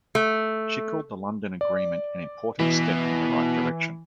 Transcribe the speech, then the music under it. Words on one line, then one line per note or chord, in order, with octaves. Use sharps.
She called the London Agreement "an important step in the right direction".
A3
D5
B2 E3